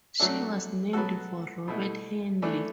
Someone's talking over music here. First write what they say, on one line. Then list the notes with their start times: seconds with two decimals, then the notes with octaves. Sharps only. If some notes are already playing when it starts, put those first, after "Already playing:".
She was named for Robert Henley.
0.20 F#3 A3 D4 A4 E5
0.93 F#3 B3 F#4 A4
1.68 B2 A3 E4
2.42 E3 A3 D4